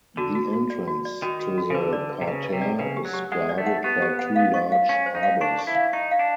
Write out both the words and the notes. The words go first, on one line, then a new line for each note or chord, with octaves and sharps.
The entrance to the Parterre is guarded by two large arbors.
D3 F#4
F#4
F#4
D5
F#4
D5
D#3 F#4
F#4
F#4
C#3
D3 B4
D5
B4
C3
C#3 B4
B4
C3
D5
C#3 B4
G4
F#3
G4
G#3 F#5
D5
A3
F#5
B3 G4
G4
F#5
F5
C#6
F5
C#4 C#6
C5
D#4
F5
D4 C#6
C#6
E4
F5
D#4 C#6
F5
D4